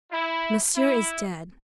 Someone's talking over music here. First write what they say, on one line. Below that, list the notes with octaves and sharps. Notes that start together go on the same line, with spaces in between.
"Monsieur is dead."
E4
E4